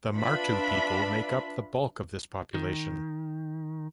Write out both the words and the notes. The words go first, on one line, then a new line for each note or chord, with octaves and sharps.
The Martu people make up the bulk of this population.
D4 F4 B4 E5 B5
D#3